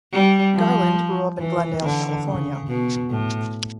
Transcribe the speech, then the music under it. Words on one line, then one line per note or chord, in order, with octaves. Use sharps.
Garland grew up in Glendale, California.
G3
F3
E3
D3
C#3
B2
A2